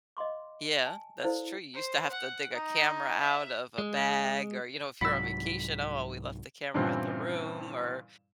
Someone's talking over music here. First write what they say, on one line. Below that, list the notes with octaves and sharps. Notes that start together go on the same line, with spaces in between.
Yeah, that's true, you used to have to dig a camera out of a bag, or, you know, if you're on vacation, "Oh, well we left the camera at the room," or,
D#5 F5 C6 D6
G#5 A5
E4 A4 C5 D5 F5 G5
C5
F#5
D#4
E5
G#3
C2 G#2 F#3 B5 E6 B6
G2 A#2 C#3 E3 C4 E4